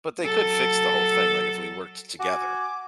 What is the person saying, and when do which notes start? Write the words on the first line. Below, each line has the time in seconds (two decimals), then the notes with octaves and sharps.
But, they could fix the whole thing, like if we worked together,
0.21 F#3 A4
2.19 F#4 G#5 D6